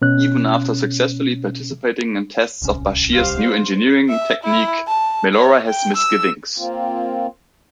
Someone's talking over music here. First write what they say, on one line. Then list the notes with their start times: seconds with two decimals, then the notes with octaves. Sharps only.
Even after successfully participating in tests of Bashir's new engineering technique, Melora has misgivings.
0.02 B2 C#4 F#6
2.62 D1 C2 C#4
3.13 G3 C5 F5
3.45 C5
4.09 E5
4.44 E4
4.88 A5
5.34 C#5
5.68 G5
5.97 E6
6.58 A#3 C4 F4